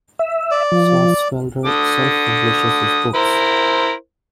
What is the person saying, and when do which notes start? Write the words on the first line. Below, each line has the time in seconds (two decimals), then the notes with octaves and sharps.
Swartzwelder self-publishes his books.
0.19 E5
0.51 D5
0.72 F3
1.65 D3 D#6
3.15 E4 A#4 C5